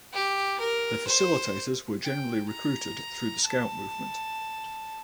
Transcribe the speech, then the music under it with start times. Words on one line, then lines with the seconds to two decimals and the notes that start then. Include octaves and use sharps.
The facilitators were generally recruited through the scout movement.
0.13 G4
0.59 A#4
1.07 C5
2.02 G5
2.50 A#5
3.45 A5